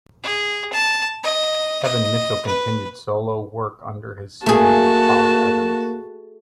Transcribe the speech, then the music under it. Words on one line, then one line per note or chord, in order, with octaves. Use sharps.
Kevin Mitchell continued solo work under his pseudonym, Bob Evans.
G#4
A5
D#5
D#5
B4
A3 A#3 F#4 G#4 A5